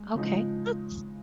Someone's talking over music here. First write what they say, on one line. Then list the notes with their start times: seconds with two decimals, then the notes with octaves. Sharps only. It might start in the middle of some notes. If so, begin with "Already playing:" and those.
Okay, that's
Already playing: G#3
0.15 C#3 F3 G#3 D#4